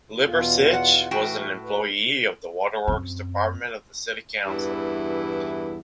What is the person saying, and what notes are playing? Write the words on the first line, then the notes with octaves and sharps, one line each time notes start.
Liversidge was an employee of the waterworks department of the City Council.
B2 F3
E2 B2 F4
F#5
A2 E3 A3 F#4 G5
B4
F#2 C4
E2 G2 E3 E4